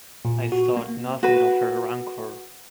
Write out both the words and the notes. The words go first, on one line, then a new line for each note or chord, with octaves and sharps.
I thought nothing of her rancour.
A#2
F#4
A#3
F#4 B4